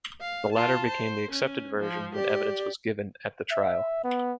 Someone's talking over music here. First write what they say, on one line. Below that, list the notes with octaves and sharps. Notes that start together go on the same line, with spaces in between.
The latter became the accepted version when evidence was given at the trial.
F5
F4 A5
C5
C#4
F3
G4 D5
E5
B3